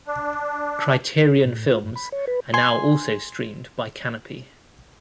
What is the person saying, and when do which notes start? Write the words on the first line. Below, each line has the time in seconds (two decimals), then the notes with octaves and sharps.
Criterion films are now also streamed by Kanopy.
0.07 D4
1.44 A2
1.70 F4
1.84 G2
1.96 B5
2.12 C#5
2.27 B4
2.54 G#5 C6